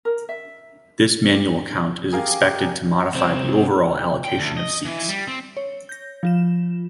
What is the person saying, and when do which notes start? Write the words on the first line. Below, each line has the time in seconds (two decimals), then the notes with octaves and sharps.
This manual count is expected to modify the overall allocation of seats.
0.05 A#4
0.29 E5
1.33 D5
2.12 G4 G#4 A#4 F5
3.14 C2 C4
4.24 G5
4.38 D2
4.57 D#5
4.85 E3
5.09 G3
5.28 C4
5.57 C#5
5.89 G6 A#6
6.23 F3 F4 E7